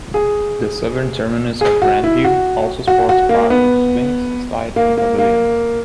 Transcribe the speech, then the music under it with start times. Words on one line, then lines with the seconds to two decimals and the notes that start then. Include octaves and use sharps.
The southern terminus of Grandview also sports a park with swings, slide, and pavilion.
0.14 G#4
1.61 G#4
1.82 F#4
2.04 E4
2.25 F#4
2.88 F#4
3.09 F#4
3.29 A#3
3.50 B3
4.76 A#3
4.97 A#3
5.18 A#3